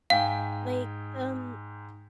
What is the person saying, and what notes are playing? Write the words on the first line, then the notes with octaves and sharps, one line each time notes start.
Like, um,
G#2 F5 G5 G#5